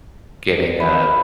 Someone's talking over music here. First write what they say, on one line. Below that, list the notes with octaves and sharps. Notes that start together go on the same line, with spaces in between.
getting a,
B4